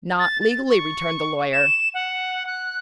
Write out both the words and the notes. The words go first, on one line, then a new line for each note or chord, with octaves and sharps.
"Not legally," returned the lawyer.
A6
A6
C#6
E7
F#5
F#6